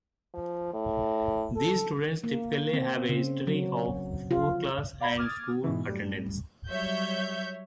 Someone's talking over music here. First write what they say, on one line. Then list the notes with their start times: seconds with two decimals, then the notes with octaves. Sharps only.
These students typically have a history of poor class and school attendance.
0.34 F3
0.73 A2
1.56 A4
2.24 A#3
2.74 C4
3.09 C#3
3.47 F#3
4.31 F4
5.00 D5 F5 A#5 B5 G6 G#6
5.17 D6 D#6 F6 G#6 A6
5.63 G#2 B2 E3
5.87 F#2 A2 G3
6.68 F#3 G3 C#5 E5 G6